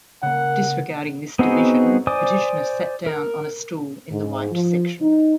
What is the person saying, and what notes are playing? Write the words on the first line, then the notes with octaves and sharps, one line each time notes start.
Disregarding this division, petitioner sat down on a stool in the white section.
C#3 A#3 F#5
B3 C4 D#4 F#4 G#4
C5 D5 G#5 D6 D#6
A#4
G#2
F3
D#4